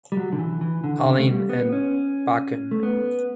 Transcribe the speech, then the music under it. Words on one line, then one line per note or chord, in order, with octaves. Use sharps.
Allyn and Bacon.
G3
F#3
D3
E3
E3
D3
C#3
A3
G3
B3
C#4
A3
B3